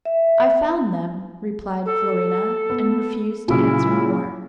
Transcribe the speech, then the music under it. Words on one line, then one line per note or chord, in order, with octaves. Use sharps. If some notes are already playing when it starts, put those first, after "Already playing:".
"I found them," replied Florina, and refused to answer more.
E5
A4
B3
A#2 C#3 F#3 E4